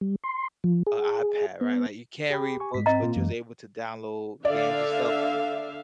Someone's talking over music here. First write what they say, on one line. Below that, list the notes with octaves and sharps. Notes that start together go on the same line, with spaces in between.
a iPad, right, like, you can't read books, but you was able to download games and stuff,
G3
C6
F3
G#4
B3
G4 G#4 G5 B5
G#5 C#6
G#2 G#3 B6
C4 D#5 A#5
A#2 A#3 C4 F4
F#2 E3 G#3
D3 D5 E5 F5